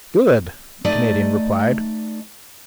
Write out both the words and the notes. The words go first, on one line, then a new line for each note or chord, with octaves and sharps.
"Good!" the Canadian replied.
A3 D#4 D5 D#5